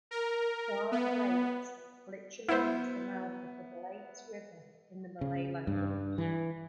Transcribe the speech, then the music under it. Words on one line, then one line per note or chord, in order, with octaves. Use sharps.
"Kuala Belait" literally means "the mouth of the Belait River" in the Malay language.
A#4
B3
B3 E4 C5 E5
C#3
G2
E3